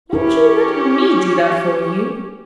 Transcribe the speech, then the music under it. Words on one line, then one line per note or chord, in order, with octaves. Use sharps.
Won't you let me do that for you?
C#4 E4 G4